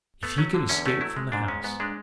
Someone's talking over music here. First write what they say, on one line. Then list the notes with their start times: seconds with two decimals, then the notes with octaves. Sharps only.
If he could escape from the house!
0.23 A3 B3
0.38 F#3 C#4
0.54 D3
0.69 E2 C#4
0.86 A3 C#4
1.01 F#3 E4
1.16 G#3
1.32 G#2 D4
1.48 G#3 C#4
1.64 G#2 B3
1.80 G#3 D4